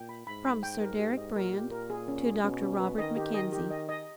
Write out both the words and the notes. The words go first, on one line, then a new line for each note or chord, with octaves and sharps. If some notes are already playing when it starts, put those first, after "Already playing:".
From Sir Deryck Brand to Dr. Robert Mackenzie.
Already playing: A#2 G5
B5
G#2 B5
B5
G5
A#4
G4
D#5
A#2 A#4
G4
A#4
G#4
C#4
G#4
B2 C#4
C#4
B4
D#3 D#5
G4
D#5
G4
D#5
D#5